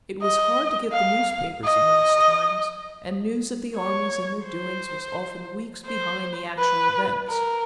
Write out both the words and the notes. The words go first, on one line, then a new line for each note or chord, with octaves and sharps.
It was hard to get the newspapers in those times and news of the armies and their doings was often weeks behind the actual events.
D#5
F5
D#5
C#5
C5
C5
B4
A#4